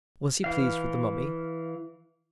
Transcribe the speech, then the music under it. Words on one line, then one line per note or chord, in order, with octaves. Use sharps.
"Was he pleased with the mummy?"
E3 F5